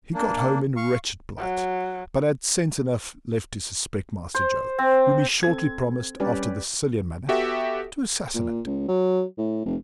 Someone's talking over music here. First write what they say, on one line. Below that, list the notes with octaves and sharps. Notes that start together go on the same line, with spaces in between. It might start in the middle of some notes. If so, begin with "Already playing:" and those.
He got home in wretched plight, but had sense enough left to suspect Master Joe, whom he shortly promised, after the Sicilian manner, to assassinate.
A#3 D4
F5 C#6
F#3
C5
C4
C4 A4 G#6
G3 C#4 G4 B4 D5
B3 F#4 G4 A4 E5
A#2
C#2
F#3
A2
F1